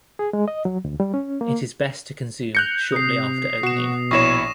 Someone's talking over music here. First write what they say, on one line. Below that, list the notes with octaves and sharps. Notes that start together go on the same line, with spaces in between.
It is best to consume shortly after opening.
G#4
G#3
D#5
F#3
D2
G3
C#4
A#3
F#6 G6 A#6 C#7 F7
C3 D#6 C7
B2 F#4 E7
A#1 E4 C#5 C#6 A#6 E7